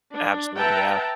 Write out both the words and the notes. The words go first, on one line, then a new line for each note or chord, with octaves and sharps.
Absolutely, yeah.
D4
B4 E5 F#5 G5 A5 A#5